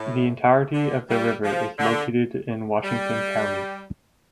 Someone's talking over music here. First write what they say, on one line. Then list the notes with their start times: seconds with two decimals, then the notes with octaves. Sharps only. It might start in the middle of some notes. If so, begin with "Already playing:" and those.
The entirety of the river is located in Washington County.
Already playing: A2
0.74 D3
1.09 G3
1.43 F3
1.78 D3
2.84 G3